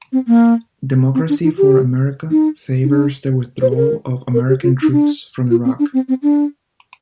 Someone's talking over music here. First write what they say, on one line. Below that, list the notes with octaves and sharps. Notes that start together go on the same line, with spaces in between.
Democracy for America favors the withdrawal of American troops from Iraq.
C4
A#3
C4
D4
D#4
G4
D#4
D#4
D4
C5
G#4
A#4
A#4
G4
F4
D#4
D4
F4
C4
D4
C4
C4
D4